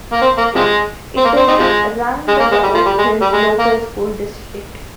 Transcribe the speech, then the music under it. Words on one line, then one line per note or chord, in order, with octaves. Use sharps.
It is run by the Oak Hills Local School District.
A#3
C4
A#3
C3 F3 G#3
C4
A#3
C4
C4 D#4
C3 F3 G#3
G#3
A#3
G#3
G3
F3
G3
G#3
G3
G#3
A#3